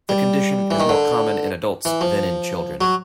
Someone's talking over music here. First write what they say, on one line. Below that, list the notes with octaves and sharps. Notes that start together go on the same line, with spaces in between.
The condition is more common in adults than in children.
G3
E3
D#3
D3
E3
F3
F#3